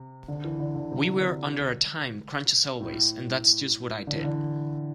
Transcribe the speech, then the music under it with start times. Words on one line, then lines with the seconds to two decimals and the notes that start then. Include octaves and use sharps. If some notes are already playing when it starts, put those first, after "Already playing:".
We were under a time crunch as always and that's just what I did.
Already playing: C3
0.28 D3
0.44 E3
0.60 D3
0.76 D3
0.92 C3
1.18 D3
1.23 C3
2.80 A2
4.07 D3
4.16 E3
4.24 D3